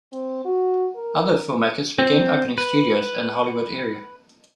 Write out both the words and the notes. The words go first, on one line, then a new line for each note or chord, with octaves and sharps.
Other filmmakers began opening studios in the Hollywood area.
C4
F#4
A#4
C4
B4